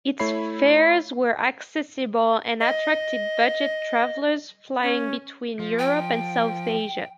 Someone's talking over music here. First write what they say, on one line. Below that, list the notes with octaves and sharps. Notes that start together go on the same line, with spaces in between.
Its fares were accessible and attracted budget travellers flying between Europe and South Asia.
A3 E4 C#5 B5 C7
D#5
C#4
F3
G5